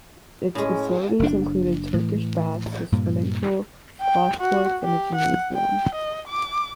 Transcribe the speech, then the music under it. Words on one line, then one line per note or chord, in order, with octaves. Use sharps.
Its facilities included Turkish baths, a swimming pool, squash courts and a gymnasium.
A2 G#3 C#4
F#1 D4
A2 E3
G2 A#2
G5
F#4
G4
F#5
G5
D#5
D6